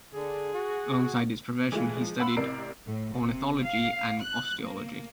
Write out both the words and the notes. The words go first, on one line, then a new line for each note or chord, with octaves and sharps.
Alongside his profession he studied ornithology and osteology.
D3 G#4
F#4
E3 G#3 A3 F4
F3 G#3
F5 F#5 B5 C6 E6
A1 C3 A#4 D5 C7 D7
A2
C3
F5
F#6
A#3